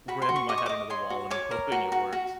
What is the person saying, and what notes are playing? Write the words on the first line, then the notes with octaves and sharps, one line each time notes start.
ramming my head into the wall and hoping it works.
F#4 B5
C6
F#4
C#6
D#5 D6
C#6
D#5 D6
C#5 C6
F#4
C#5 D6
A#4
F#4
F#4
F#4